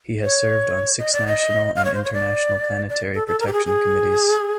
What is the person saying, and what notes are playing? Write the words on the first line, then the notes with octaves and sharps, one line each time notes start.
He has served on six national and international planetary protection committees.
C#5
D#5
D5
D#5
F5
C#5
C5
C#5
D5
D5
A4
A4
A#4
G4
G#4
G#4